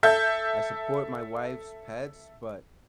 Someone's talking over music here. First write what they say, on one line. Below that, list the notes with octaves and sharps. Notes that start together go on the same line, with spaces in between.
I support my wife's pets, but
A4 E5 G6